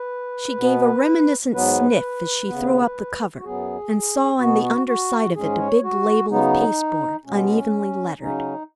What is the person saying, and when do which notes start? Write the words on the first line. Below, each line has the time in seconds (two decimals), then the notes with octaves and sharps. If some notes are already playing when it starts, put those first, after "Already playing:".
She gave a reminiscent sniff as she threw up the cover and saw on the under side of it a big label of pasteboard unevenly lettered.
Already playing: B4
0.57 B2 B3
1.54 G#2 F#3 B3 B4
2.48 D#2 C#3 B3
3.38 F#4
3.44 F#2 F#3 B3 G#4
4.39 B2 B3 F#4
4.63 F#4
4.87 F#4
5.34 G#2 G#3 C#4 G#4
5.59 C#5
5.83 F#4
6.30 C#3 F#3 B3 D#4
7.25 B2 G#3 B3 C#4
8.20 C#3 F#3 C#4 D#4